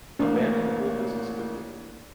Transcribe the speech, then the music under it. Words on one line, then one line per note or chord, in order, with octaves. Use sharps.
Abandon the whole business quickly.
A1 A#3 D4